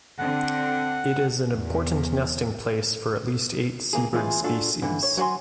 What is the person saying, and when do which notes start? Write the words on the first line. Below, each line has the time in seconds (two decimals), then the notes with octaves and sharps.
It is an important nesting place for at least eight seabird species.
0.19 D3 C4 F#5
1.53 E2
3.93 C#2 A#3 G#4
4.13 E3 G#3 C#4 F4 G#4
4.44 D4 F4 F#4 A4
4.82 G2 D3 E3
5.03 C#5
5.17 F#3 F#4 C#5 G#5 C6